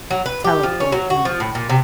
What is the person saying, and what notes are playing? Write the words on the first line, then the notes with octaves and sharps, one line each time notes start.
teleport, maybe.
F#3
B4
G4
F3
C#4
F#3
F#4
F3
A2
A#2
C3